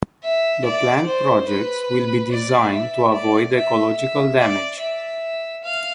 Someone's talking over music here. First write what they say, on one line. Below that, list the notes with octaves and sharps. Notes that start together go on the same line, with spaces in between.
The planned projects will be designed to avoid ecological damage.
E5
D5
C5
B4
D5
E5
D5
E5
E5
D5
E5
F5